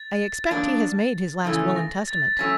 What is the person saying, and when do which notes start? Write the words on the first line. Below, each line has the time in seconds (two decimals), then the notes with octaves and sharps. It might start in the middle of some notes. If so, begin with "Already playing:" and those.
"I expect he has made his last will and testament."
Already playing: A6
0.51 B2 F#3 A#3 D4
1.44 C#3 E3 A3 C#4
1.76 A#6
2.08 A6
2.38 F#3 A3 C#4 B6